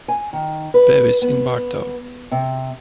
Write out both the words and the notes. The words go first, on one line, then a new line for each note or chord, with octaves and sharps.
Bevis in Bartow.
G#5
D#3
B4
B3
C3